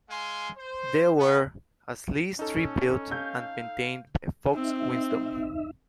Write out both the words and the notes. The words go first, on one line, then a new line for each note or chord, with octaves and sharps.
There were as least three built and maintained by Fox-Wisdom.
G#3 F5 G#5 C6
C5
B3
C#4 D#4 A4
F5 G6
C4 D#4 E5